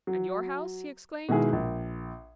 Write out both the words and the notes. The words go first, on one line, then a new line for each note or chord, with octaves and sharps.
"And your house?" he exclaimed.
F#3
B2 D#3 G#3 E4 G#4
A#1